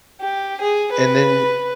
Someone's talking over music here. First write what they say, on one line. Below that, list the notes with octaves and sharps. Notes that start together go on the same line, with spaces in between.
and then
G4
G#4
B4